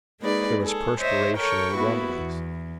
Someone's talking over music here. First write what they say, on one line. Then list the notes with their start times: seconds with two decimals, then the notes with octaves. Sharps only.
There was perspiration and grumblings.
0.20 G#3 A#3 D#4 G#4 B4 D5
0.63 G#4 A4
1.00 C5 C#5 D#5 E5
1.37 A4 A#4 C#5 G5 C#6
1.75 A#3 B3 E4 F#4 B4
2.16 E2